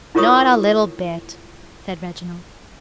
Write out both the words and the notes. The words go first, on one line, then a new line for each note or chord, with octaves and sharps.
'Not a little bit,' said Reginald.
E4 F4 A#4 C#5 C#6 D#6